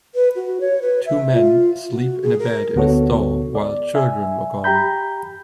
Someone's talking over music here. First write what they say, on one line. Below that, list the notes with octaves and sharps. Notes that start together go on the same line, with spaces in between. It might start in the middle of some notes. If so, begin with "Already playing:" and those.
Two men sleep in a bed in a store while children look on.
B4
F#4
C#5
B4
E5
F4
F#4
G#4
A#4
D2 D3 B3 F#4 A4 C#5
D5
E5 G#5
G4 G5 A#5 B5 G6